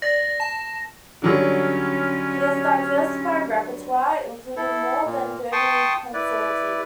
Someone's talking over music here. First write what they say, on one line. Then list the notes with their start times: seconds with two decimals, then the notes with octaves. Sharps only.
His diversified repertoire included more than thirty concerti.
0.02 D5 A#6
0.40 A5
1.22 D3 F#3 G3 C#4
4.56 E4 A4
5.04 A#2
5.52 G5 A5 C6 C#6 D#6
6.13 E4 B4 D5